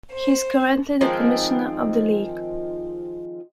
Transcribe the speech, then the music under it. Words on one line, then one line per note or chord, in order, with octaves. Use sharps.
He is currently the commissioner of the league.
C5
D#3 F3 G#3 C4